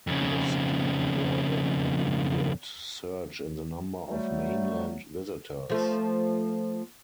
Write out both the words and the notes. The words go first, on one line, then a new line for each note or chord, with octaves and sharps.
The scheme brought an immediate surge in the number of Mainland visitors.
F2 C#3
F#3 G3 A3
F3 A3